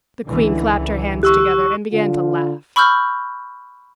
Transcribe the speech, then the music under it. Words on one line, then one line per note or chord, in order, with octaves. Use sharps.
The queen clapped her hands together, and began to laugh.
C#2 D3 E3
G4 C#6 E6 F#6
D3 F4
B5 C#6 E6 F6 G6